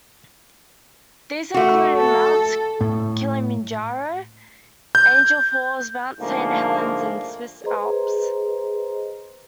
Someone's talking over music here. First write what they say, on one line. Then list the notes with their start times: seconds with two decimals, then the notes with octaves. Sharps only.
These included Mount Kilimanjaro, Angel Falls, Mount Saint Helens, and the Swiss Alps.
1.54 A3 F#4
1.97 A4
2.81 A2
4.95 G6
6.19 G#2 D3 F3 A3 A#3
7.64 G#4 B4 C5 D#5 A#5 C6